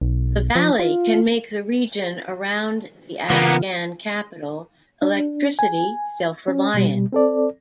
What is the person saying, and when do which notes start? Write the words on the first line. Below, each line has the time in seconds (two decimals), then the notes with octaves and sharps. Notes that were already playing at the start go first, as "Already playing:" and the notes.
The valley can make the region around the Afghan capital electricity self-reliant.
0.01 B1
0.55 F3
0.79 F4
3.30 C#3 E3 A#3 B3 F4
5.02 D4
5.59 G#5
6.48 C#4
6.74 B2 G3
7.13 C4 A4 D5